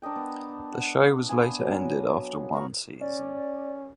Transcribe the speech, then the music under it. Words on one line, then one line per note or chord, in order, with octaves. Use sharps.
The show was later ended after one season.
D4 A#4 D#5 G5
B3
F#5
B3 F5 G#5 C6
F#3
B3 F5 A#5 C#6
C#4 D5